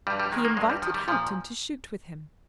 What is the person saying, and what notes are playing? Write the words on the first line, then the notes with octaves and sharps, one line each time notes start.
He invited Hampton to shoot with him.
G2 G3
G3
D#3 G#3
A#3
G2 G#3
G3
D#3 F3
G3
A#2 F3